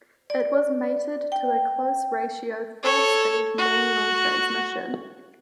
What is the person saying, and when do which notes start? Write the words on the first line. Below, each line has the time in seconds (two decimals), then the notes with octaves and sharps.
It was mated to a close ratio four-speed manual transmission.
0.30 D5
1.32 G5
2.83 A4 C#5
3.58 F#4